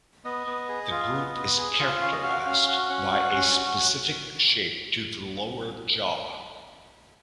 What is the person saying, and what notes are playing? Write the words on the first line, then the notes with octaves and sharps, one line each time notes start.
The group is characterized by a specific shape to the lower jaw.
B3 D#5
B3
G#4
F4
B3
B3
G#4
F4
C#4 F5
D#5
F#4 F5
C#4 F5
F#4
C#4 F#5
F#4
C#4
F#4